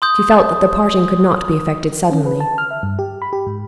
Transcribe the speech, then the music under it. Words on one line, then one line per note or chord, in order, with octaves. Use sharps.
She felt that the parting could not be effected suddenly.
C6 D#6 G6
C#4
B4
A5
F6
E5
G2
G4
B5
G4
G#2